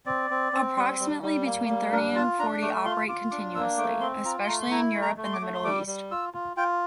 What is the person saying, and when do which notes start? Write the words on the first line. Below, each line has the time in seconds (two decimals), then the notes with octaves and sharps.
Approximately between thirty and forty operate continuously, especially in Europe and the Middle East.
0.06 C4 D5
0.30 C4
0.53 C4
0.77 G3
0.99 G3
1.22 G3
1.46 A#3
1.69 G3
1.92 D4 A#4
2.15 F4 A5
2.39 D4 A#5
2.62 A3 D6
2.85 F4 C6
3.08 F4 D6
3.31 D4 D6
3.55 A#3 E6
3.78 A3 D6
4.01 C4 C6
4.25 F4 A#5
4.44 C6
4.47 A3 A#5
4.61 C6
4.71 E4 A#5
4.95 A3
5.02 A#5
5.17 A3
5.24 C6
5.33 D6
5.41 A3
5.54 C6
5.64 G3 D6
5.87 G3
6.11 F4 E6
6.34 F4
6.57 F4 G5